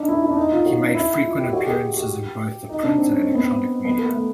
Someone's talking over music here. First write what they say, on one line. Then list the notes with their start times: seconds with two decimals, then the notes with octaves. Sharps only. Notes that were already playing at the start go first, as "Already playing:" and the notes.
He made frequent appearances in both the print and electronic media.
Already playing: D4 D#4
0.08 E4
0.22 E4
0.30 D4
0.37 D#4
0.52 F4
0.66 F#4
0.80 C#4
0.95 E4
1.24 F4
1.38 G4
1.53 F#4
1.63 G4
1.67 G#4
1.97 G4
2.69 D#4
2.83 D4
2.97 C4
3.12 C#4
3.27 C4
3.35 B3
3.41 C4
3.85 B3
3.99 A#3
4.12 A3